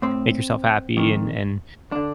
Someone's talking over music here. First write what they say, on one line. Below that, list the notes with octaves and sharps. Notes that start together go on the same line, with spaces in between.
make yourself happy and and,
A2 C4
F2 D#3
D3 D4